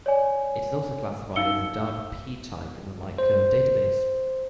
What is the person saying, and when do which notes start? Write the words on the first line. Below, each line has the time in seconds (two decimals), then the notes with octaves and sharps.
It is also classified as a dark P-type in the "Lightcurve Data Base".
0.06 C#5 D5 G#5
1.36 D#4 F5 E6 C#7 G7
3.18 C5